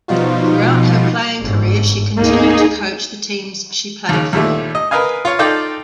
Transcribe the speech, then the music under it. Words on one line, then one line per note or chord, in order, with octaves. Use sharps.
Throughout her playing career she continued to coach the teams she played for.
B2 F3 G3 D#4 F4 F#4
G1 G#2
D2 A#3 D#4 G#4
D#2 C#3
D#2 A#2 G3 A3
D#5
A#4 B4 D#5 F5 G#5
F4 C#5
D#4 F4 A4 D5 G5